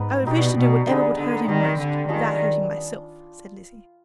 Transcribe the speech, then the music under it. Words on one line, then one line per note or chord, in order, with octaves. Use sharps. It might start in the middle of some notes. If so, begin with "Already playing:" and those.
"I would wish to do whatever would hurt him most,--without hurting myself," said Lizzie.
Already playing: G#2 B3 D#4 B4
B2 D#4 G4 B4 D5
B2
D3 G3 B3 D#4 G#4
D3
D#3 C4 G4 B4 D5
D3
D#3 G3 D4 F4 G#4